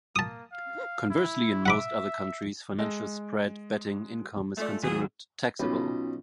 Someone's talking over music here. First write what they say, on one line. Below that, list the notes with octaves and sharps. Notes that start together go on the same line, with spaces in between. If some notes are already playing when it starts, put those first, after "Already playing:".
Conversely, in most other countries financial spread betting income is considered taxable.
A#3 A5 D#6
F5
E4
E5 F#5 B5 D6
G#3 A4 D#5 G5
G#3 A3 F4 D5
D#2 F#3 G#4
B1 C#4 D#4 F4